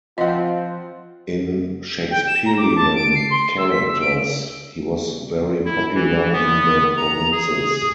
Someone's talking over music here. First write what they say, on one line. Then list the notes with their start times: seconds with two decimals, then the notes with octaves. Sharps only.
In Shakespearian characters he was very popular in the provinces.
0.18 F3 C4 F4 D#5 F#5
2.11 G5
2.27 E7
2.45 A#5
2.57 D6
2.75 A5
2.95 D7
3.15 C7
3.30 C6
3.57 E6
3.71 B6
3.86 E6
4.01 D7
5.66 E4
5.94 E3
6.33 B3
6.97 A#5
7.32 G#4